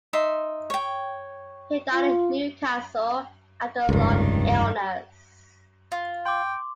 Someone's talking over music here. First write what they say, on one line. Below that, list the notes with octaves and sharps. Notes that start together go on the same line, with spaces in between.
He died in Newcastle after a long illness.
D#4 E5 C6
C#5 G5
F4
F1 C#2 G2 D#3
F4
G5 C6 D6